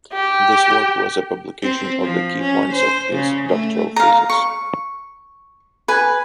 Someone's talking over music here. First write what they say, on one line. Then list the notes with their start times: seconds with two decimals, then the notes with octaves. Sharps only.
This work was a publication of the key points of his doctoral thesis.
0.14 G4
1.62 C4
2.02 F3
2.41 C#4
2.72 C5
3.11 C#3
3.49 A3
3.96 F5 A#5
4.30 C#6
5.88 B4 G#5